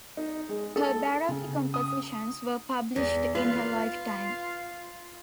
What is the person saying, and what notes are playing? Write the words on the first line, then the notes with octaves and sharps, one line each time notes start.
Her Baroque compositions were published in her lifetime.
D#4
G#3
A4
C#3
D#6
E2
F4 B4